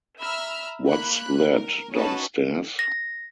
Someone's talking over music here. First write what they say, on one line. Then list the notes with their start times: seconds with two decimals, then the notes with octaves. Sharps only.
What's that downstairs?
0.19 E5 A#5 B5 E6 F6
0.86 A#3 B5 F#6
1.50 A#4
1.92 C#4 D#4 F#4 B4 A5
2.79 A#6